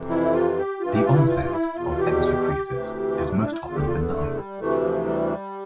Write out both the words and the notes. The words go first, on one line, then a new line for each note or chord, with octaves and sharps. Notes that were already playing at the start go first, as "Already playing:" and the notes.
The onset of encopresis is most often benign.
Already playing: F2 C3 E3
E4
F4
G4
G2 E3 F4
G4
F4
E4
F4
E4
E2 B2 F4
G4
D2 C3 E3
F4
D4
D4
E4
E2 D3 F4
G4
F4
B3
A3
G3
D2 C3 E3 A3
F3
G3